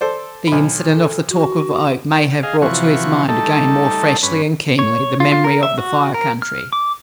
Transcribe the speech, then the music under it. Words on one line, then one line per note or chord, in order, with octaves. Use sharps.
The incident of the talk of Oak may have brought to his mind again more freshly and keenly the memory of the Fire Country.
A4 C5 D5
B1 B5
A4
F#4
G#4 D#5 F5
C3 E3 F3 F#4 C#6
G3 A3 D#4 A4
G2 C#4 B4
C#5
F4
F4
A#4
E5
F#4
A#4
F6
D6